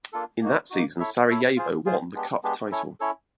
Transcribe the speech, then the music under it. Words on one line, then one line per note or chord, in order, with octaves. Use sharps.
In that season Sarajevo won the cup title.
A#3 D4 F4 A4
A#3 D#4 F#4
A#3 D#4 F#4
E4 A4 C#5 E5
E4 A4 C#5 E5
F4 G#4 C5
F4 G#4 C5
G#3 B3 D4 G4
G#3 B3 D4 G4
C#4 E4 A4 C#5
C#4 E4 A4 C#5